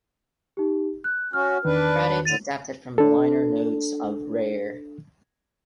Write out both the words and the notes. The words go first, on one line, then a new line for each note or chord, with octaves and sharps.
Credits adapted from the liner notes of "Rare".
D#4 G4
F#6
C#4 F#4 F6
E2 D#3 D4 B4
A2 D3 A6 D#7 F7
D4 A4